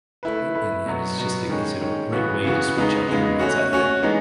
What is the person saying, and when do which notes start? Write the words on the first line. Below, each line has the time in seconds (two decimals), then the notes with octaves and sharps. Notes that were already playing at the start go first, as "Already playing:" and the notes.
a and and it's just a is it a great way to switch up your moods, I think.
0.23 A3 E4 B4
0.55 A3 E4 B4
0.86 B2 F#3 B3
1.18 B2 F#3 B3
1.49 D#3 G#3 C#4
1.81 D#3 G#3 C#4
2.12 C#3 E3 B3 F#4
2.44 C#3 E3 B3 F#4
2.76 C#3 G#3 B3 D#4
3.08 C#3 G#3 B3 D#4
3.39 A3 C#4 F#4
3.71 A3 C#4 F#4
4.03 E3 G#3 B3 D#4